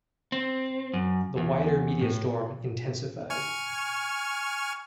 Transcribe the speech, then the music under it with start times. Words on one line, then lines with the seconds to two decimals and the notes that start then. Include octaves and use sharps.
The wider media storm intensified.
0.32 C4
0.93 F#2
1.37 E2
2.01 A2
3.30 G#5 C#6 F6